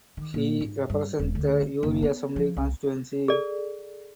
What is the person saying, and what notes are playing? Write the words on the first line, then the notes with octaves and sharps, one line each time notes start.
He represents the Uri Assembly Constituency.
D#3
A#2
G#2
G2
E1
D2
C#4
F#1
B3
F3
C2
G#4 A4 D5